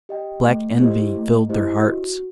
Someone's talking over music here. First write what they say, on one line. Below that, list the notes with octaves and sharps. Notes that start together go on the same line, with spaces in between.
Black envy filled their hearts.
G4 D#5 G5
A3
E4 G4 C5 D#5
A3
E4 G4 C5 D#5
F#4